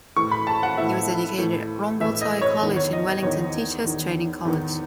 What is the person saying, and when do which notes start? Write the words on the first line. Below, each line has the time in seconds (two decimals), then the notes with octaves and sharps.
He was educated at Rongotai College and Wellington Teacher's Training College.
0.16 A2 E3 C#6
0.31 B5
0.47 A5
0.63 F#5
0.78 A2 E3 E5
1.38 A2 E3
2.00 A2 E3 E5
2.21 D#5
2.41 C#5
2.61 E2 D#3
2.76 C#5
2.93 D#5
3.07 D#5
3.23 E2 D#3 C#5
3.84 E2 D#3
4.45 E2 D#3